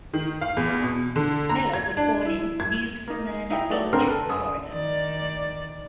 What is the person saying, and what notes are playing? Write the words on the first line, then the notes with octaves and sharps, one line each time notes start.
Miller was born in New Smyrna Beach, Florida.
D#3
F5
E2
B2
D3
A#5
G#6
D4
E4
G#6
A#3 D#4
D#4 E4 G5
F#3 A3 B3 D5
D3 C4 A#4 C6 F6
A4 B4
F#2 D#6
D#3 D5